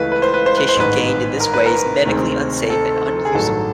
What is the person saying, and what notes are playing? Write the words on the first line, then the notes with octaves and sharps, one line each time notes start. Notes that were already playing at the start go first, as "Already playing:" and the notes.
Tissue gained in this way is medically unsafe and unusable.
Already playing: C#2 C#3 E3 A3 B4
B4
C5
B4
C5
B4
C5
A1 G#2 D#3 B4
A#4
B4
A#4
D2 C3 D#3 G#3 C4
A4
G#4
A1 G2 D#3 F#3 A4